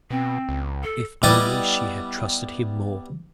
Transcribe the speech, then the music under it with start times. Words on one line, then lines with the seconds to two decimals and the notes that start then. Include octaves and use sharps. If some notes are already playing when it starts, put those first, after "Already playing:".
If only she had trusted him more!
0.10 B2 C4
0.49 C#2
0.83 A4
1.23 G3 B3 E4 D5 D#5